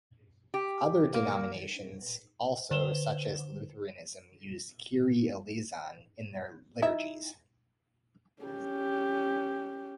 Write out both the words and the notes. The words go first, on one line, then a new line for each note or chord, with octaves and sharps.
Other denominations also, such as Lutheranism, use "Kyrie, eleison" in their liturgies.
G4
A#3
D3 B4 C5 E7 G7
D#4 E4 E5
C#4 G4